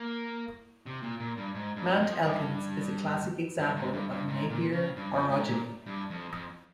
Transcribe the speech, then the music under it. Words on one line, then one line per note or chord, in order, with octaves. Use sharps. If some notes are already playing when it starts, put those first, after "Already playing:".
Mount Elkins is a classic example of Napier orogeny.
Already playing: A#3
C3
A#2
A#2
G2
G#2
G2
F2
G2
G2
G#2
G2
G2
G#2
A#2
C#3
G2
F2
G#2
A#2
G2
F2
F2